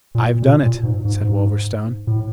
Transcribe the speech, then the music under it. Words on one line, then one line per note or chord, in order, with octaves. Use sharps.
"I've done it," said Wolverstone.
A#2
B2
A#2
G#2
G#2
G#2
A2